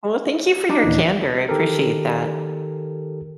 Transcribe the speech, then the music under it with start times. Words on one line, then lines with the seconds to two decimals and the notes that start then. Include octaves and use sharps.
Well, thank you for your candor, appreciate that.
0.69 D4 D#4
0.84 D#2 A#2 E3
1.49 D#3 G4 A4 A#4